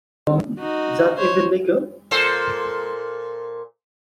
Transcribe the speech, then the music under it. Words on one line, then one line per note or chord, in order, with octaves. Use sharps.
Is that even legal?
D#4 F#4
C5 C#5
A#2 A4 C5